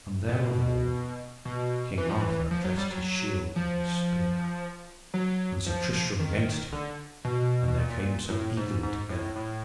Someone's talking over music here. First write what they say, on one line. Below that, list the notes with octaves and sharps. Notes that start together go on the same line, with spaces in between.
And there withal King Arthur dressed his shield and his spear, and Sir Tristram against him, and they came so eagerly together.
A#2
B2
B2
E3
F3
E3
F3
F#3
G3
F#3
F3
F#3
F3
D#3
D3
B2
B2
A#2
A2
G#2
G#2
A2
A2